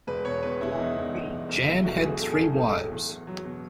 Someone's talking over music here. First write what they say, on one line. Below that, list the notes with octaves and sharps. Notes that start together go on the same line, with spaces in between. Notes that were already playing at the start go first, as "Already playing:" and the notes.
Jan had three wives.
E1 B4
B2 C#5
E2 B4
B2 E4
E4
E2 D#4
E1
E1
E1
B1
B1 E4
A2 F#4
B1 G#4
A2 A4
G#4
B1 A4
A2
F#3
E2
E2
F#3
B2